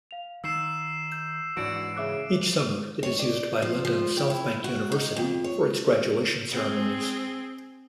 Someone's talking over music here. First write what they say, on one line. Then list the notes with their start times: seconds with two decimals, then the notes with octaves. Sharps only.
Each summer it is used by London South Bank University for its graduation ceremonies.
0.11 F5 F7
0.44 D#3 E6 C7 E7
1.12 G6
1.57 G#2 E3 D4 F#4 D5 D7
1.97 C#3 E5 D6 F#6
3.03 C#5
3.19 D5
3.62 F3
3.85 F3
4.17 G4
4.30 E4
4.64 F#4
4.92 D#4
5.16 F2
5.44 C#5
6.51 C4 G#4